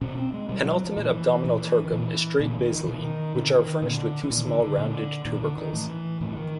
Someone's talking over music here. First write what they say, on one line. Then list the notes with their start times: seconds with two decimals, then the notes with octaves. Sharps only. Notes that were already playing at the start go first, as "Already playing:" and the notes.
Penultimate abdominal tergum is straight basally which are furnished with two small rounded tubercles.
0.01 B2 C#4
0.18 C4
0.33 G#3
0.49 B2 G3
0.61 F#3
0.73 F#3
0.85 F3
0.97 A#2 E3
1.44 A#2 E3
1.84 D#3
1.92 A#2 E3
2.39 A#2 D3
2.51 D3
2.59 E3
2.63 D#3
2.75 D#3
2.84 E3
2.88 B2
2.93 D#3
3.35 B2 D3
3.59 D#3
3.82 A#2 D3
4.24 E3
4.30 A#2 D#3
4.46 D3
4.62 D3
4.78 A#2
5.25 A#2 D#3
5.41 D3
5.58 D#3
5.73 A2 E3
6.21 A2 D#3
6.32 E3
6.37 D#3